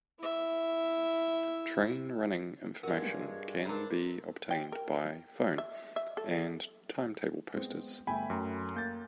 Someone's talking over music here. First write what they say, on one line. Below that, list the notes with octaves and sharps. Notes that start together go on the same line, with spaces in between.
Train running information can be obtained by phone and timetable posters.
E4 E5
G2 G#3 F#4 A#4
D4 A#4 C5 A#5 B5
G5
A#4
E5
E5
A4
G#3 B3 C4
G1 A3 E5 G5 G#5 B5
F#2 A3 A#5
A#3 G6 A6